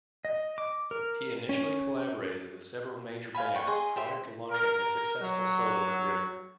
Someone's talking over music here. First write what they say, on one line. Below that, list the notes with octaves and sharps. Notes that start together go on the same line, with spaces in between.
He initially collaborated with several major bands, prior to launching a successful solo career.
D#5
D6
A#4
C#4
F5 G#5 B5
F#5 G5 C#6
G#4 D#5 C6
G4 C5 E5
A#4
F#3